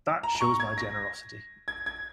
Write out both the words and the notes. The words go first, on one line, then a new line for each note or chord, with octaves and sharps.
That shows my generosity.
A#5
A#5
C#6
G#6
A#6
G#6
G#6